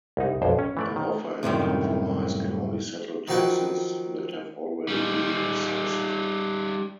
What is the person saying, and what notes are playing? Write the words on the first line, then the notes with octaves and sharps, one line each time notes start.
An Offer in Compromise can only settle taxes that have already been assessed.
C2 D#4
B1 F2 C5
C#4
E3 A3 D5
D#3
C2 F#2 A2 D#3
D#3 F3 F#3 F#4 B4 G5
G3 D#4